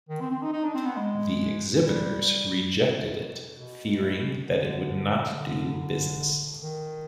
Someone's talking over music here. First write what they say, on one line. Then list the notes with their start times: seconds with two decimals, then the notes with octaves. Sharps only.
The exhibitors rejected it, fearing that it would not do business.
0.09 D#3
0.21 C4
0.31 C4
0.42 D#4
0.52 D#4
0.64 D4
0.75 C4
0.85 B3
0.97 G#3
1.84 G3
2.71 B2
3.57 B2
4.44 D3
5.32 D3
6.62 D#3